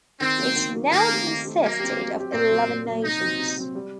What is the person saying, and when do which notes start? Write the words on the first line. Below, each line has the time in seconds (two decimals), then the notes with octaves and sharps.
It now consisted of eleven nations.
0.20 D#3 C4
0.37 F#3 A#3
0.56 D#3
0.73 F#3 A#3
0.91 D#3 A#3
1.09 A3 C4 G4
1.27 D#3
1.45 A3 C4 G4
1.62 F#3 A#3
1.80 C4 G4
1.98 F#3
2.15 C4 G4
2.32 A#2 C4
2.51 F#3 A#3
2.69 A#2
2.86 F#3 A#3
3.04 C3 D#4
3.21 F#3 C4
3.39 C3
3.58 F#3 C4
3.75 G3